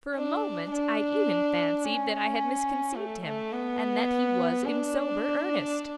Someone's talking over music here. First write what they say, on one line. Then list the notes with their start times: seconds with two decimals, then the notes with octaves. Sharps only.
For a moment I even fancied that I had misconceived him, and that he was in sober earnest.
0.15 D4
0.71 D4
1.84 C#4
2.97 A3
3.25 A3
3.52 B3
4.65 D4